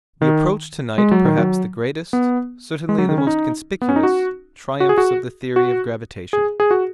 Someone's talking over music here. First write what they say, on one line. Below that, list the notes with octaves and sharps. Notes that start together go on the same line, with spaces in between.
We approach to-night perhaps the greatest, certainly the most conspicuous, triumphs of the theory of gravitation.
D#3
G#3
F#3
D#3
F#3
B3
G#3
F#3
D#3
C#4
D#4
B3
C#4
D#4
F#4
F#4
G#4
F#4
F#4
G#4
G#4
F#4